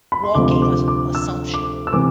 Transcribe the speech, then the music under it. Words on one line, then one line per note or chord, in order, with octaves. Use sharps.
walking assu assumption.
B5
C6
D2 C3 F3 D6
C6
D6
D6
E6
D6
E6
C3 E3 D6